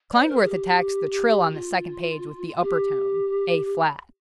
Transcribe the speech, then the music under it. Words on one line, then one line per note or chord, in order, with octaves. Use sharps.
Klindworth attacks the trill on the second page with the upper tone--A flat.
D5
C5
A#4
G#4
G4
G4
F4
G4